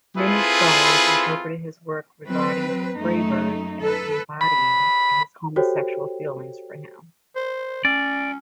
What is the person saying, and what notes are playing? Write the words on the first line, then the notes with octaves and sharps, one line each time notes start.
Many scholars interpreted his work regarding Freyburg as embodying his homosexual feelings for him.
C4 E4 F4 G#4 A4 B4
E3 F#3 C4 B4
F#3
F#2 A3 D#4
A4 B4
B5
F#4 G4 A4 C5 C#5 G5
C5
C#4 D5